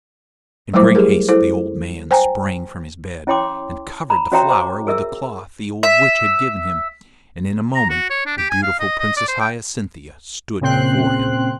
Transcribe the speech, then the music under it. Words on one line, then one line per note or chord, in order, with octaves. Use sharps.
In great haste the old man sprang from his bed, and covered the flower with the cloth the old witch had given him, and in a moment the beautiful Princess Hyacinthia stood before him.
F#3 G3 A3 E4 C5 D6
G4 G#4 A#4
E4 A4 C5
C5 G5 G#5 A#5
C#4 E4 C#5 G5 C6 D6
A#5 B5
C#4 F#4 C#5 E5 G5 A#5
C5 A#5 D6
G#4 A#4 E5 E6
E5
A#5
F#4
C#5
D4
G4
G#5
F5
D#5
D#5
D5
C5
G5
A#2 C#3 C4 G5 C6 F#6